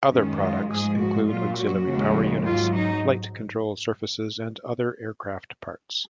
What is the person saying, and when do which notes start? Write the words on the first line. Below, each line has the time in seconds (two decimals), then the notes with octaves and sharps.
Other products include auxiliary power units, flight control surfaces, and other aircraft parts.
0.12 F#2 D#3 G#3 C#4
0.41 F4
0.70 G#2 F3 G#3 G#4
1.00 F#4
1.28 A#2 F#3 F4
1.58 F#4
1.87 D#2 C#3 F3 G#3
2.46 G#2 F#3 F4
2.74 D#4